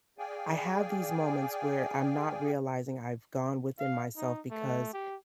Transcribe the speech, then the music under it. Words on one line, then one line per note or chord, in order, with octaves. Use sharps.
I have these moments where I'm not realizing I've gone within myself because
G#4 D5 F5 G5 G#5
F5
D#4
A3
G4